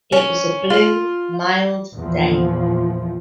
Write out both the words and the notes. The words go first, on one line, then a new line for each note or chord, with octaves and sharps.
It was a blue, mild day.
C#4
F4
E2 A#2 F3